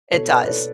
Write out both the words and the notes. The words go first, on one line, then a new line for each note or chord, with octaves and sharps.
it does.
B2 A4 C#5
B4 D5
B4
A4 C#5